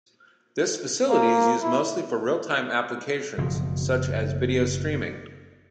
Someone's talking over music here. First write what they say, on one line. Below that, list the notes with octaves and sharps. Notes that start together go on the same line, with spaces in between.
This facility is used mostly for real-time applications, such as video streaming.
A#3
E4
F#1 B2 F3